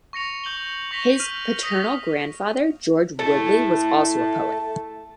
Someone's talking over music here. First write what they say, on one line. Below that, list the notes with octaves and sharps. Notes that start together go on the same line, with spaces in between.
His paternal grandfather George Woodley was also a poet.
C#6 A#6 C#7 F7
C#6 G6 F#7 G7
C#6 A#6 B6 F7 G7
F6 D#7
D#6 A#6 B6
A3 E4 A5